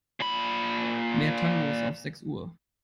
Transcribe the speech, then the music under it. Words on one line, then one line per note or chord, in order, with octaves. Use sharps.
Mehr Tangos auf sechs Uhr.
A#2 B5